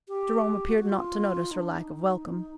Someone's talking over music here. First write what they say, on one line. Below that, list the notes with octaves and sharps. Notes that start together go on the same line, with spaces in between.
Jerome appeared not to notice her lack of welcome.
G4
F#4
F#4
F4
D#4
D4
D#4